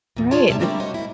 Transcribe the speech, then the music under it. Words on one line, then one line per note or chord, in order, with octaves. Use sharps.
Right. That's
E2 A#2
E2 F4 G#4 C#5 A5
C3 G3 E5 A5
G3 A3 A#3 C4 D4 E4
F#4 C5 C#5 D#5
G#2 E4